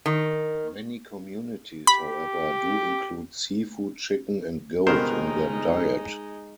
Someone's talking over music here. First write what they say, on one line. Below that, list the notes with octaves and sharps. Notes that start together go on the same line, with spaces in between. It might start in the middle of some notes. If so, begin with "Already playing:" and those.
Many communities, however, do include seafood, chicken, and goat in their diet.
D#3
G4 B5
G1 B2 D#3 G#3 D#4 A#4 C5